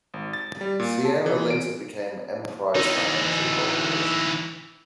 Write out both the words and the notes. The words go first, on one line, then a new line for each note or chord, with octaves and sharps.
Sierra later became Emprise Financial Corporation.
G#1
A6
G3
A#2
A5
E3
D7
E3 D#4